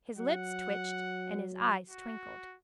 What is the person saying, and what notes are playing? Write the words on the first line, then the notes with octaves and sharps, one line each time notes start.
His lips twitched and his eyes twinkled.
F#3 F#5
F#4